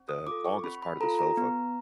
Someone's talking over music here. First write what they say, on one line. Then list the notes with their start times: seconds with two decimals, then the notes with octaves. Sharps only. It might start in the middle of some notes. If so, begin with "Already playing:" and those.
the longest part of the sofa,
Already playing: C4
0.09 D#6
0.27 F4 A4 D6
0.45 C#6
0.64 C4 B5
0.82 B5
1.01 F4 A4 A#5
1.19 A#5
1.37 B3